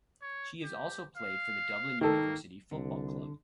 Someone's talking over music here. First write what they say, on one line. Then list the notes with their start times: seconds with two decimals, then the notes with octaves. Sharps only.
She has also played for the Dublin University Football Club.
0.22 C#5
0.63 G4
1.17 F5
2.01 D#3 A#3 A4
2.71 C2 D3